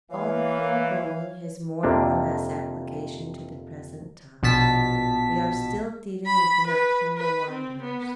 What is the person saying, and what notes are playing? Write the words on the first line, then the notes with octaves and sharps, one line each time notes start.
All the foregoing has more or less application to the present topic. We are still dealing with the nocturnal wanderers.
E3 A#3 C#5 F5
F2 C3 A#3 D4
A#1 B2 A5 B6
B5
B4
B4
C4
B3